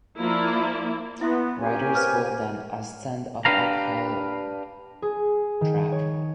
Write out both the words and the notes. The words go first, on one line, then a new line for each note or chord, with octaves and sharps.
Riders will then ascend of uphill track.
F3 A#3 E4 D5
B3 E4 E5 C6
A#3 C#4 G4 A#4 G#5
B4 C5 F5
D4 G4 B4 F5 A#5
G#4
D#3
C#5